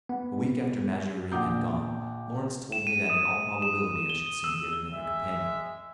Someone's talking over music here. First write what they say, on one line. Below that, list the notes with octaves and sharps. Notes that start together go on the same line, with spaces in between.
A week after Maggiorin had gone, Lawrence told me that in all probability I should soon get another companion.
B3
A#1 F#5 D6 D#6 G6
E7
D#7
D#6
E7
G7
E6
G#3 E5